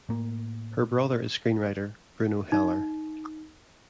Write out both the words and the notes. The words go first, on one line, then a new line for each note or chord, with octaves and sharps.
Her brother is screenwriter Bruno Heller.
A2 A#3
D#4